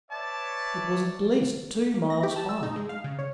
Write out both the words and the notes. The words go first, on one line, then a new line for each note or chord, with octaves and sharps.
It was at least two miles high.
B4 C#5 D5 E5 A5
A#3
A#6
G4
A5
E6
D#4
G#3
F5
C#3
C#5